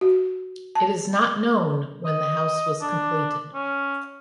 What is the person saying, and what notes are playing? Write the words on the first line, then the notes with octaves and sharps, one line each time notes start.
It is not known when the house was completed.
F#4
A5
D#5
D4
C#4